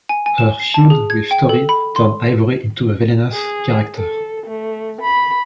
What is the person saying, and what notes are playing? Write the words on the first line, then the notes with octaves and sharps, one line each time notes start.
Her feud with Tori turned Ivory into a villainous character.
G#5
G#5
E7
C7
A5
G#4
G#6
G5
A4
B5
C6
G#4
A4
A3
B5